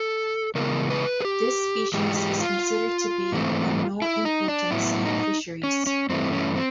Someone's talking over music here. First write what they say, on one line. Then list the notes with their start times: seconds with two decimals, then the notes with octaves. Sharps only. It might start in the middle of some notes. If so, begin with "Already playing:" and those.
This species is considered to be on no importance in fisheries.
Already playing: A4
0.55 C#3 E3 G#3 B3 A#4
0.90 B4
1.21 G#4
1.25 G4
1.94 G#2 E3 G#3 G4
2.17 G4
2.41 F4
3.32 G#2 E3 A3 C4
4.02 E4
4.25 D#4
4.48 D4
4.71 A2 F#3 B3 E4
5.05 D#4
5.63 C#4
5.87 C#4
6.09 G2 E3 A3 C4
6.33 C#4
6.55 C4